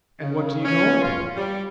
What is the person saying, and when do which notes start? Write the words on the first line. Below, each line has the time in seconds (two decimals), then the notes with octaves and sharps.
"And what do you know of him?"
0.20 C#3
0.65 C#4
1.01 F4
1.36 G3